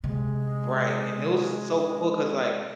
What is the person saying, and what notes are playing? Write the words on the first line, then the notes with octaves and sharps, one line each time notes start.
Right. And those are so cool 'cause, like,
C3 G#3